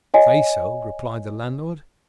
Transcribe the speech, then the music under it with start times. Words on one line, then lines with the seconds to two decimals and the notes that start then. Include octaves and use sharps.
"Say so!" replied the landlord.
0.14 C#5 D#5 G#5